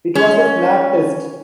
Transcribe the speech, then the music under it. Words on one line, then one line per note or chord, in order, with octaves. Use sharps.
It was a snap test.
C#4